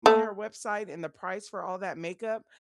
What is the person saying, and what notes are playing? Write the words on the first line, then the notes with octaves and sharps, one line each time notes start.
me her website and the price for all that makeup,
A3